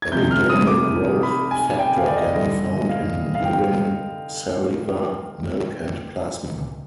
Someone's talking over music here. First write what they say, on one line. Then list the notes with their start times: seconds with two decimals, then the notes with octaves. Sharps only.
Epidermal growth factor can be found in urine, saliva, milk, and plasma.
0.02 G#6
0.12 C3 F3 G#3 G6
0.31 F6
0.49 D#6
0.67 D6
1.23 B5
1.51 G#5
1.79 G5
1.98 F5
2.07 D5
2.16 D#5
2.34 D3 G3 D#5
2.89 F5
3.35 F5
3.45 G5